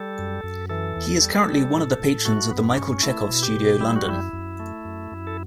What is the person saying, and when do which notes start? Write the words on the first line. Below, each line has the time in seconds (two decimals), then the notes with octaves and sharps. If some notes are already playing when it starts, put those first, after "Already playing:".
He is currently one of the patrons of the Michael Chekhov Studio London.
Already playing: G3 A4
0.19 F#2
0.44 F#2
0.69 E3 A4
0.96 E2
1.22 G3
1.48 G3
1.74 A2
1.99 A2
2.25 A3 F#4
2.51 G2 B3
2.70 D4
2.77 G2 C#4
3.03 A3 E4
3.30 B2
3.43 G4
3.56 B2
3.81 G3 E4
3.96 F#4
4.07 F#2 E4
4.33 F#2
4.60 A3
4.85 F#2
5.12 F#2
5.27 A4